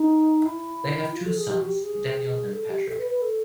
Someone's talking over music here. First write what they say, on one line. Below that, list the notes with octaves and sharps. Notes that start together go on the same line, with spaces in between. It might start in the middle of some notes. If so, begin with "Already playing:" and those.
They have two sons, Daniel and Patrick.
Already playing: D#4
E4
F4
A4
G#4
G4
F#4
G4
G#4
A4
G4
A4
B4
B4
A4